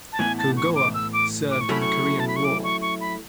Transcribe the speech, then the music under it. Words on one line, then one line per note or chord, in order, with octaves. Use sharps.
"Culgoa" served in the Korean War.
A5
A2 E3 B3 G#5
A5
C#6
D6
E6
D6
D6
C#6
F#3 A3 C#4 E4 B5
C#6
A5
B5
C#6
D6
C#6
C#6
B5